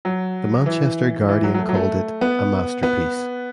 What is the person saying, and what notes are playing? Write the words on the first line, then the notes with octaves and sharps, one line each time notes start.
The Manchester Guardian called it "a masterpiece".
F#3
E3
E3
F#3
F#3
A3
F#3
A3
B3
B3